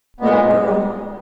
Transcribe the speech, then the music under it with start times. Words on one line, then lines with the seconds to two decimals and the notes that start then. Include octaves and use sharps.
Little girl.
0.21 A#2 G#3 B3